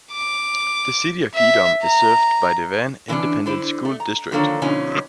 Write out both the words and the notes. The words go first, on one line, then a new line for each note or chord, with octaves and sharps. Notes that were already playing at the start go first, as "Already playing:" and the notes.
The City of Edom is served by the Van Independent School District.
D6
E5
A#5
D3 E3 A#3 C#4 D4
D3 E4 C5
A3
A#5
D3 D#3 F3 A#3 A4 C#5
B2 D3 F3 C#4 D#4